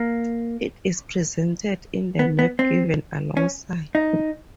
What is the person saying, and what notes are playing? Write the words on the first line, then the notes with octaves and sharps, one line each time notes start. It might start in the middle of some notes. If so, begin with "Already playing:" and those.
It is presented in the map given alongside.
Already playing: A#3
B3
B3
C4
C#4
D#4